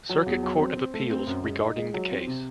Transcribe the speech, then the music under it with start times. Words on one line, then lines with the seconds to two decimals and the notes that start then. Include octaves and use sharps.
Circuit Court of Appeals regarding the case.
0.09 F#3
0.26 E2
0.43 F#3
0.60 C4
0.77 C4
0.94 A3
1.10 C4
1.27 F#2
1.43 G#3
1.60 D#4
1.77 G#3
1.94 F#3
2.11 C4
2.27 C3